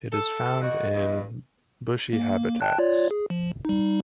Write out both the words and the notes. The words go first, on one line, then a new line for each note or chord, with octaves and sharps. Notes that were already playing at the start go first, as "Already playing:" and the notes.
It is found in bushy habitats.
A4
G2 F#4 D#5
E2 G2
A#3
G5 A5 F#6
F4 C#5 D5
G#4
F3
G3 D#4